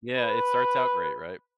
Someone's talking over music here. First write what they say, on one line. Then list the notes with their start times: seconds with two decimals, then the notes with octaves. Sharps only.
Yeah, it starts out great, right?
0.17 B4